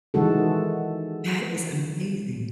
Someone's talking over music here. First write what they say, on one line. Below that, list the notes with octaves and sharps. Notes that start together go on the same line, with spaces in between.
That is amazing.
D#3 E3 G#3 F#4 A4